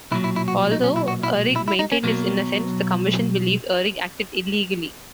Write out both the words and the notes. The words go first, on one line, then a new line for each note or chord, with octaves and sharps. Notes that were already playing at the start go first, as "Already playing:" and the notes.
Although Uhrig maintained his innocence, the Commission believed Uhrig acted illegally.
B1 A#2 F#3 E4
E4
E4
F#4
D#4
C#4
E4
F#4
E4
E4
E4
D#4
C#4
B1 B2 F#3 A#3